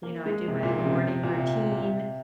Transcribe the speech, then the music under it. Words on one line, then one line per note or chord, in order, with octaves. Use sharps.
you know, I do my morning routine,
A#3
G#3
C3
A#2
C3
C#3
C3
C3
A#2
C3
A#2
C3